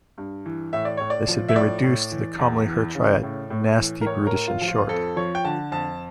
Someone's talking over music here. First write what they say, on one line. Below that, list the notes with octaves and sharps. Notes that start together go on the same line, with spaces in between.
This has been reduced to the commonly heard triad "nasty, brutish and short".
G2
E3
A2 E5
D5
A2 C#5
D5
F3
E5
A2 D5
A2
E3
E2
E3
C#3
A2
A2
E3
A#4
A2 C#5
A#4
A2
F4
F3
F4
F2 A4
F3 C#5
G5
D3 A5
F2 A5